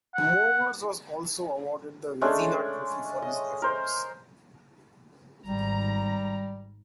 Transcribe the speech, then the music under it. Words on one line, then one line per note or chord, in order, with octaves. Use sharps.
Mowers was also awarded the Vezina Trophy for his efforts.
F#5
G#3 A3 C#4 D4
D#5
A#4 C5
G#1 G3 A#5